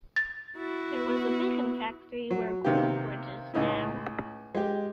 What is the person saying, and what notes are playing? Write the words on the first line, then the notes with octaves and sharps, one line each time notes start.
There was a bacon factory where Greenbridge is now.
A6
E4 F#4
B3
F#3
C3 D#3 A#3 B3 G4
C#2 A2 C#3 D#4 E4
G#3 G4